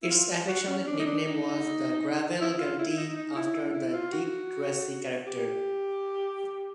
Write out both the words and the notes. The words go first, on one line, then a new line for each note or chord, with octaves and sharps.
Its affectionate nickname was "The Gravel Gertie" after the Dick Tracy character.
E4
F4
F#4
C#4
D4
D#4
D4
D#4
E4
E4
F4
E4
E4
D#4
D#4
E4
E4
E4
F4
F#4
G4